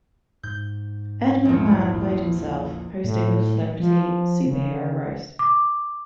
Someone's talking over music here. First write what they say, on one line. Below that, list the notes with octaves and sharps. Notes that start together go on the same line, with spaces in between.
Ed McMahon played himself, hosting the celebrity super-hero roast.
G#2 G6
A#1 E2
A2
F3
C#3
D6